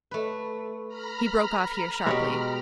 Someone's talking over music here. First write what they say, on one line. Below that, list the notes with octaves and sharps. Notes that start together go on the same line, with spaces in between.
He broke off here, sharply.
A3 B4
A#5 B5 F6
B2 G#3 F#4 G4